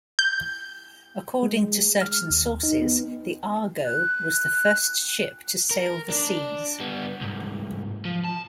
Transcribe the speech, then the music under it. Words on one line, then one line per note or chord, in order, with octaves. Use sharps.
According to certain sources, the "Argo" was the first ship to sail the seas.
G6
G#3
F6
D#2
D#4
B3
F#6
A#4
D4 D5
G3 B3
C2 G#2
F3
A5